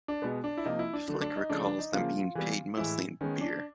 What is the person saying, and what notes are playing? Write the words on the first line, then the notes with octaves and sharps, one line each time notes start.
Flick recalls them being paid mostly in beer.
D4
B2 G#3 B3
D4
E4
C3 F3 A#3 D#4
E4
D4
D3 F#3 A3 D4
D4
D#4
C#3 F3 A3 D4
D4
D#4
C#3 F3 A#3 F4
E3 G3 B3
A2 E3 G#3 E4
D#3 G#3 B3 C#4
D4